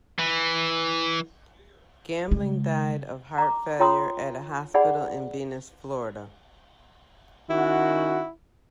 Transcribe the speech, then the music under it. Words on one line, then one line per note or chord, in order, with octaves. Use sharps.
Gambling died of heart failure at a hospital in Venice, Florida.
E3
C#3 G#3
A#5 D6
F4 C#5 G5 A#5 C6 D#6
D#4 G#4 D5 F#5 G#5 B5
D#3 C#4 E4 F#4